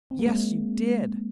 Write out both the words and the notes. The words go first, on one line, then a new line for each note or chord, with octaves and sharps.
"Yes, you did."
C4
A#3
G#3 C4